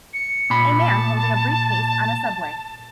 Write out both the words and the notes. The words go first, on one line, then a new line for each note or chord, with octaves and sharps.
A man holding a briefcase on a subway.
C#7
A#2 B5
A5